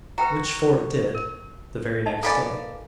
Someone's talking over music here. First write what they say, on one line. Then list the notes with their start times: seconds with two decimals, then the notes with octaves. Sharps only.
Which Fort did, the very next day.
0.18 F#4 B4 G5 A#5
1.15 A#4
2.06 D#4 D#5 A5
2.23 A#3 B3 A4 D5 F5 G#5